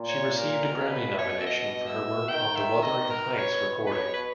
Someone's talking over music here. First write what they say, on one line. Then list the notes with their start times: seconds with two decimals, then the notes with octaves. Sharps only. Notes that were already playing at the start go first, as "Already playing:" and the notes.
She received a Grammy nomination for her work on the "Wuthering Heights" recording.
Already playing: A#2
0.09 C#5
0.37 A#4
0.64 B2 A#4
0.91 B4
1.19 C#5
1.40 E5
1.46 D#5
1.87 E5
2.28 D#3 G5
2.55 E5
2.83 D#5
3.10 B2 A#4
3.38 C#5
3.86 B4
3.92 C#5
4.14 B4